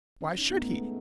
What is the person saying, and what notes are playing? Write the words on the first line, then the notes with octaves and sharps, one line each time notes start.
Why should he?
C#4
D#4
B3
A3
G#3